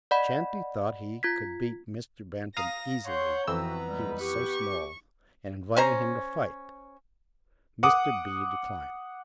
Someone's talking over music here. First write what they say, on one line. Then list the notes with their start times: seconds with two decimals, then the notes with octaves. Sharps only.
Chanty thought he could beat Mr. Bantam easily, he was so small, and invited him to fight. Mr. B. declined.
0.11 D5 D#5 F#5 B5
1.23 F4 G#6 B6
2.57 F5 A#5 D#6 A#6
3.06 C#5 F#5 C6 G6
3.47 F2 E3 B3 C4 F#4 B4 A#5 E6
3.87 G3 G#3
4.20 G4 C#6
5.77 C#4 C5 A#5
7.83 F#5 D6 D#6